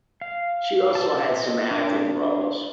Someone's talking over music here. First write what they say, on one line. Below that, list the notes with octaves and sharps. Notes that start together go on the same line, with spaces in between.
She also had some acting roles.
F5
A5 E6
D#5
D4 A#4